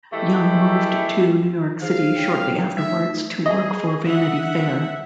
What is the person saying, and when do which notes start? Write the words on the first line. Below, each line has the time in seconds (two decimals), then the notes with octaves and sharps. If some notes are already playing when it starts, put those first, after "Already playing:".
Young moved to New York City shortly afterwards to work for "Vanity Fair".
0.12 E3 G#3 A3 E4 G4
1.82 G#4 C5 F5
2.16 C#5 G5
2.77 A3 D#4 E5 D#6
3.46 G#4 D#5
4.03 E5 F#5